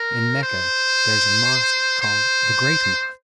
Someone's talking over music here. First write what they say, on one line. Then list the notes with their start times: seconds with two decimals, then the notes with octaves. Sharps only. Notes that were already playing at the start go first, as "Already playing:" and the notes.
In Mecca there is a mosque called the Great Mosque.
Already playing: A#4
0.43 C5
2.01 C5